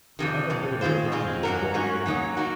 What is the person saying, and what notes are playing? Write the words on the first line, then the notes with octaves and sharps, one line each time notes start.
Who ever heard of a man being born again?
F2 C3 D#3
F2 C3
D#3 G#3 C4 F4 C5
D#3 G#3 C4 F4 C5
G#2 F#3 C#4 F#4 A#4
G#2 F#3 C#4 F#4 A#4
C#3 F#3 A#3 D#4 F#4
F#3 A#3 D#4 F#4